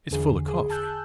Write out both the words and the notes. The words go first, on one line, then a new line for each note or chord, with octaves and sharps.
It's full 'a coffee.
E2 D3 G#4
G#4
G#5 A5 E6 F#6 G6